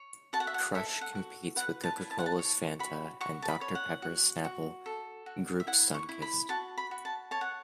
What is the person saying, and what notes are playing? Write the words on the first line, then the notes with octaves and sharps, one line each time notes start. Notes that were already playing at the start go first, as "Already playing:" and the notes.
Crush competes with Coca-Cola's Fanta, and Doctor Pepper Snapple Group's Sunkist.
Already playing: C#5
F#4 A5
F#5
E5
F#5
A4 E5
F#5
F#4
B4 F#5
A5
E4
A5
F#5
A5
C#5
F#4 B5
F#4 C#6
A5
B5
C#5
F#5
F#4
F#4
A4
F#4
E5
E4 F#5
C#6
E4
B5
F#4 A5
B5
F#4
A5
C#5 A5
F#5